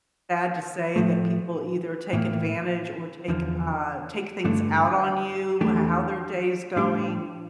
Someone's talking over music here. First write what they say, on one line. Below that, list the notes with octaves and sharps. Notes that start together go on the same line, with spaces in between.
sad to say, that people either take advantage or take uh, take things out on you, how their day is going.
A2 F3 A3
A2 E3 A#3
E2 D3 F3
G2 D3 A3 D4
E2 E3 A3 D4 G4
A2 G3 D4 G4